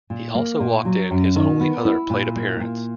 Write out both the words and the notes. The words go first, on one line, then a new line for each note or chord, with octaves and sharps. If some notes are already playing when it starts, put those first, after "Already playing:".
He also walked in his only other plate appearance.
A#2
A#3
A#2
F#3
F#2
D#3
B3
E4
A#2
A#3
A#2